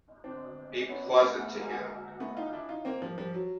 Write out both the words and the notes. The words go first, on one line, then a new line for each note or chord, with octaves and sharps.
Be pleasant to him.
C4 D4
B3 C#4
B3 C#4
A3 B3
A3 B3
G#3 A#3
A3 B3
D#4 F4
D4 E4
D#4 F4
A#3 C4
F3 G3
F3 G3
F#3